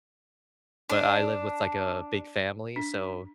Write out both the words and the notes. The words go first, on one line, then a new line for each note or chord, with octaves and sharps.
but I live with, like, a big family, so,
D4
D4